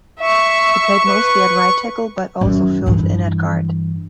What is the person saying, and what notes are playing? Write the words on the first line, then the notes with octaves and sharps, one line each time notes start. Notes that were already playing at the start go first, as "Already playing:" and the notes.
He played mostly at right tackle, but also filled in at guard.
E5 C#6
B4
F#2 D#3
G2 E3